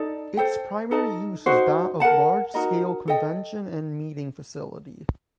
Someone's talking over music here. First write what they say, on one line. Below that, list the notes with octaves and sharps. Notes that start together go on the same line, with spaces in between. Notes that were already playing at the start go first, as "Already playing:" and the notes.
Its primary use is that of large scale convention and meeting facility.
Already playing: D#4 A4 D5
A4 C5 G5
D#4 A4 D#5 A5
D#4 F#4 C5
A#4 F#5 A5
D#4 F#4 A#4 D#5
A4 D#5 G5